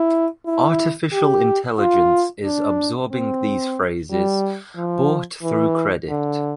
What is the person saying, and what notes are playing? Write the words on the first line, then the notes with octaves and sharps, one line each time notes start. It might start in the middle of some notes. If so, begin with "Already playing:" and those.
Artificial intelligence is absorbing these phrases bought through credit.
Already playing: E4
E4
G4
F4
D4
C4
G3
F3
E3
D3